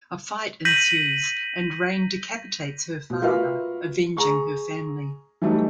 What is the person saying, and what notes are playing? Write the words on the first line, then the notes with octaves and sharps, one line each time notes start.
A fight ensues and Rayne decapitates her father, avenging her family.
G6 A#6 B6 D#7 F#7
B2
F4 F#4 A#4 B4 E5 F5
G#4 A#5 C#6
E3 F#3 G3 A3 D#4 F#4